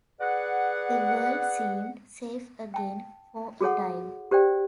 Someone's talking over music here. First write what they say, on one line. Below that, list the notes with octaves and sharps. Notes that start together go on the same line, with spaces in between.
The world seemed safe again, for a time.
G#4 B4 D5 F#5
G5 A5
F#4 G#4 A4 C#5 F#5
G4 C5 D5 G5